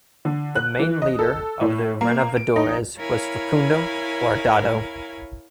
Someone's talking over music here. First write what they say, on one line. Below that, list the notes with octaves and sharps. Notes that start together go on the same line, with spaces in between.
The main leader of the Renovadores was Facundo Guardado.
D3
F#6
E3
D#5
A4
A2
A#3
D7
D#4
E4 A#4 C#5 F5 G#5 B5